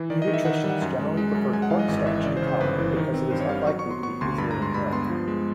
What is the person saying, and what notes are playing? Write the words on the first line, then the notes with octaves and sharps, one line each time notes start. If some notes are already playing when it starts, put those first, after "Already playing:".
Pediatricians generally prefer cornstarch to talc because it is unlikely to be easily inhaled.
Already playing: E3
D#3 D5
D#5
D#3
E5
D#3 F#5
G3
F#5
F#2
G#3
G#3
F#2
G#3 G#5
F#5
E3 F5
D#5
G#1
E3 E5
C#3 D5
C5
C#3
C5
G1 B4
E3
D#3
C4
G2 C5
C#5
G3 F5
F#3 C#6
C#6
B3
C6
B3 C#6
D2 C6
G2 B5
A#5
G#3
C6
G2 B5
B3 C6
F3
G#3